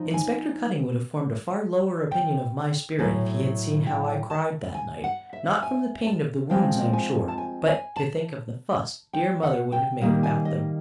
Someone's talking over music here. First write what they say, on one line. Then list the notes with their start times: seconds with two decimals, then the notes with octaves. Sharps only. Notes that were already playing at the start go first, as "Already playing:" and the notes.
Inspector Cutting would have formed a far lower opinion of my spirit, if he had seen how I cried that night; not from the pain of the wounds, I am sure, but to think of the fuss dear mother would have made about them.
Already playing: F3 D#4
0.14 G#5
2.11 G5
2.99 A2 F#3 A3 G#5
3.87 G5
4.30 A5
4.75 G#5
5.04 F#5
5.33 E5
5.63 G#5
6.06 A5
6.50 F3 G#3 C4 F4 G5
6.93 G#5
7.28 A5
7.38 G#5
7.68 G#5
7.96 A5
9.13 G5
9.43 F#5
9.72 G5
10.01 D#3 G3 A#3
10.23 G#5
10.45 D#5